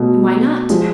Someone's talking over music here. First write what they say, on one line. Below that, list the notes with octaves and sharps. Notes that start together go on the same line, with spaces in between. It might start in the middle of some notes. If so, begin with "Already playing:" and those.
"And why not?"
Already playing: B2 F#3 A3
F3 G#3